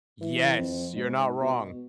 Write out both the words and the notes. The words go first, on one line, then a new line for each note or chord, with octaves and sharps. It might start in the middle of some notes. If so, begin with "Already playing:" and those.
Yes. You're not wrong.
E3
F2
G#2
B2